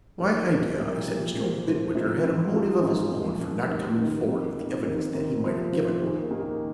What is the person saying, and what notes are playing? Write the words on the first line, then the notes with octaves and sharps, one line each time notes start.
My idea is that Mr. Midwinter had a motive of his own for not coming forward with the evidence that he might have given.
D#2 D#3 A#3 G#4
D#2 D#3 A#3 G#4
C2 A#2 F3 A#3 G#4
C2 A#2 F3 A#3 G#4
A#2 F3 A#3 G#4 C5
A#2 F3 A#3 G#4 C5
G#1 G#2 F3 C4 F4
G#1 G#2 F3 C4 F4
G#1 G#2 G#3 F4 G#4
G#1 G#2 G#3 F4 G#4
C2 A#2 F3 G#3
C2 A#2 F3 G#3
F1 D#2 D#3
F1 D#2 D#3
F2 D#3 A#3
F2 D#3 A#3
D#2 D#3 C4
D#2 D#3 C4
C3 F3 A#3 F4 C5
C3 F3 A#3 F4 C5
D#2 D#3 A#3 G#4
D#2 D#3 A#3 G#4